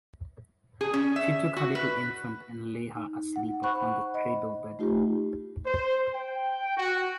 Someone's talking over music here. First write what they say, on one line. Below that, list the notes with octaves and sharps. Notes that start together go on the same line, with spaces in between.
She took her little infant and laid her asleep upon the cradle-bed.
G#4
C#4
E5
F#4
B4
D#4
F#5
C5 F#5 B5 C#6 F#6
D#5 B5
A3 D#4 F4 G4
C5
G5
F#4